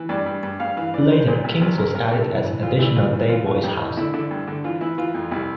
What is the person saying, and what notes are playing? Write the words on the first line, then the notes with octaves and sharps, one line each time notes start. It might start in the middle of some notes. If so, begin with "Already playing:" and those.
Later, King's was added as an additional day-boys house.
Already playing: E3
G2 D5
G2
G2
G2 F5
E3 F5
E3 D5
E3 C5
A#2 C5
C2
C2 A#4
C2 A#4
C3 A#4
C3 A4
E3
E3
D2 F4
D2 E4
D2 F4
E3
E3 F4
E3 F4
F2 G4
E3
D3 E4
D3 E4
G2
D3
E3 F4
E3 E4
E3 F4
F2
C2 E4